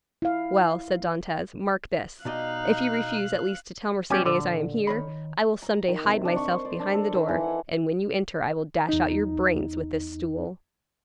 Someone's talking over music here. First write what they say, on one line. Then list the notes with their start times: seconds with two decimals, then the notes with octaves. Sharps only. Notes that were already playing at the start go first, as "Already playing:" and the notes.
"Well," said Dantes, "mark this; if you refuse at least to tell Mercedes I am here, I will some day hide myself behind the door, and when you enter I will dash out your brains with this stool."
0.22 E4 F5
2.25 B2 D#4 D5 D#5 F5 F#6
4.10 E2 B2 G3 C#4 G4 G#5
4.26 A#2 D3 A4
4.87 D#3 C#5 B5
5.62 A#5
5.88 D#3
6.04 C3
6.25 D4
6.36 C#6
6.50 C5
6.65 D5
6.80 D4
6.94 A4
7.14 D#3
7.29 E3
7.43 F#5
8.89 E2 D#4